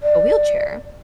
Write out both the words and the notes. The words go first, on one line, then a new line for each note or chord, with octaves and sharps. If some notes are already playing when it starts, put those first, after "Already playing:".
a wheelchair.
D5